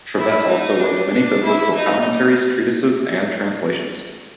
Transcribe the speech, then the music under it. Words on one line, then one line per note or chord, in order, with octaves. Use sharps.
Trivet also wrote many biblical commentaries, treatises and translations.
E4
D#4
D4
D4
E4
D#4